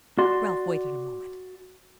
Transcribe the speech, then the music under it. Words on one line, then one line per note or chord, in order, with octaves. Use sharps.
Ralph waited a moment.
F#4 D5 C6